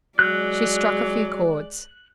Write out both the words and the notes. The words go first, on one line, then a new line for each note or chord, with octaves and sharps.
She struck a few chords.
F#3 G#3 D5 F#6